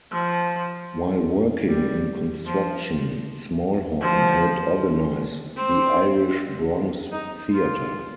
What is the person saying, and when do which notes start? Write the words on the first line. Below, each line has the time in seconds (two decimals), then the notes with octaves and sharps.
While working in construction, Smallhorne helped organize the Irish Bronx Theater.
0.11 F3
1.68 G3
2.45 F3
4.01 F3
5.56 C4
7.12 D#4
7.52 F4